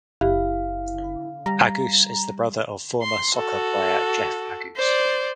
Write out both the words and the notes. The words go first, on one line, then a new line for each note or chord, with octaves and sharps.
Agoos is the brother of former soccer player Jeff Agoos.
F#1 E4 G4 F5
G3 A#5
C6
F#4 A4
C5 D5